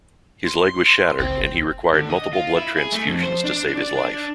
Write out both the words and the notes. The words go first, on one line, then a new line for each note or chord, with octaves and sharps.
His leg was shattered and he required multiple blood transfusions to save his life.
C6
F#1 C#2 C4
D3
D#5
F4
E4
G#4
A3
F2
C5
D4
D5
D4